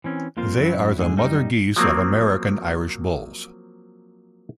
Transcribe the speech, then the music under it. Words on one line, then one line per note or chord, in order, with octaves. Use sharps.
They are the Mother Geese of American Irish bulls.
E3 C4 C#4
F2 A#3 F4 A#4 C5
F#2 F#3 E4
E2 G#2 D3 G#4
F#2 G3 D#4
F3 F#3 A#3 C4